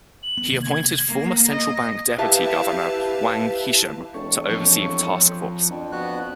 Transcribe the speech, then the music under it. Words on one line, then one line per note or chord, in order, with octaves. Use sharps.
He appointed former central bank deputy governor Wang Qishan to oversee the task force.
F#7
B3
C3 D#3 A#3
G#6
A#3
D#5
E4 G4 B4 E5 F5 A5
E1 A4 C#5 C#6
F3 C4
F2 D4
B3 F#4 F#6